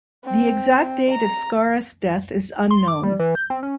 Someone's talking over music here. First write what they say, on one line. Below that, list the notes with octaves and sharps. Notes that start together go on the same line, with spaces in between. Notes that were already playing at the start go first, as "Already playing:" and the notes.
The exact date of Scaurus' death is unknown.
C4
A#5
C6
D6
G3
E3
G6
C4
C#4